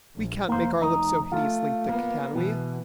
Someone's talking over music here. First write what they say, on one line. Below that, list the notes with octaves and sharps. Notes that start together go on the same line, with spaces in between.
We can't make our lips so hideously thick, can we?
A#1
F1 A#3 C5
D#4
A3 F4
A#3 B3
B2 E3